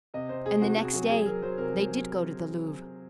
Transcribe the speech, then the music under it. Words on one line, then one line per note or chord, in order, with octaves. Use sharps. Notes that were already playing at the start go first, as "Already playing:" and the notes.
And the next day they did go to the Louvre.
C3 D#5
C3 C5
C3 G#4
C3 F#4
C3 F#4
F#3 F#4
F#3 G#4
G#4
F#3 A#4
F#3 C5
C3 A#4
F#3